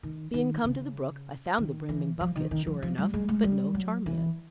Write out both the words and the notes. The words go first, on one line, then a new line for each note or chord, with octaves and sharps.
Being come to the brook I found the brimming bucket, sure enough, but no Charmian.
D#3
D#3
C#3
D#3
E3
F3
D#3
D#3
F3
F3
G3
G#3
G#3
G3
F#3
E3